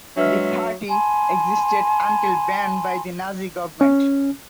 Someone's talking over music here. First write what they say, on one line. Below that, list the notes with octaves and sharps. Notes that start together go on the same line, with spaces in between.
The party existed until banned by the Nazi government.
F#3 G#3 D4 B4 E5 F6
G#5 A5 B5 C6
C#4